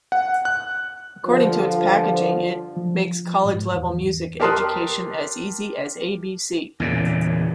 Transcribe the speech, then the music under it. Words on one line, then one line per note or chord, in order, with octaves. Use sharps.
According to its packaging it "Makes College-Level Music Education as Easy as A-B-C!".
F#5
F#6
G2 D3 F3
F3
G#2
E2
G4 A#4 A5 C6 D#6 F#6
E2 A#2 C#3